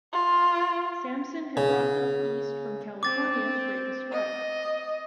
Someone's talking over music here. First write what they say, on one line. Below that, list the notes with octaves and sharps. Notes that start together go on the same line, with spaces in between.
Sampson had brought them east from California to break a strike.
F4
C#3
C4 D6 A6
D#5